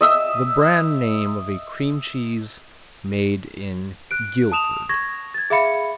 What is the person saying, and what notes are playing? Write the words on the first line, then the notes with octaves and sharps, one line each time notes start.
The brand name of a cream cheese made in Guilford.
D#5 E5 E6
F#6 D7
A5 D#6 E7 F7
C#6 G#6 A#6
G#6 A6
G#4 E5 F5 B5 C#7